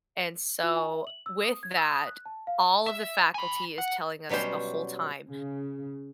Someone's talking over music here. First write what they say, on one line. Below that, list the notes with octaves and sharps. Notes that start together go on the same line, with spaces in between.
and so, with that, all of the faculty is telling us the whole time,
F4
G#5
E5
F#7
E6
D#6
G#6
E6
D#6
F#6
A5
F5
E5
G#5 B5
F#5
B2 F#3 G3 C#4 C5
C#3